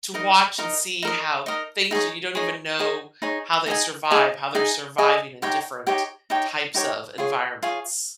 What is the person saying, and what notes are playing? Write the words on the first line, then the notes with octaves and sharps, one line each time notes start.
to watch and see how things that you don't even know how they survive, how they're surviving in different types of environments.
D#4 A#4 D#5
D#4 A#4 D#5
D#4 A#4 D#5
D#4 A#4 D#5
D#4 G#4 C#5
D#4 G#4 C#5
D#4 G#4 C#5
D#4 G#4 C#5
D#4 G#4 D#5 G#5
D#4 G#4 D#5 G#5
D#4 G#4 D#5 G#5
D#4 G#4 D#5 G#5
D#4 G4 C#5 G5
D#4 G4 C#5 G5
D#4 G4 C#5 G5
D#4 G4 C#5 G5
F4 G#4 C#5
F4 G#4 C#5